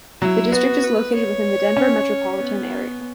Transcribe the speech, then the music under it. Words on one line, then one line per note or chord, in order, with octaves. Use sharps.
The district is located within the Denver metropolitan area.
F#3 E4
B3 F#4
B4
C#5
C#4
B3